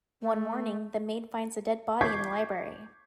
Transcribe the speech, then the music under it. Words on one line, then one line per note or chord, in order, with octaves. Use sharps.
One morning, the maid finds a dead body in the library.
A3
C#6 D6 G6 G#6 B6 C7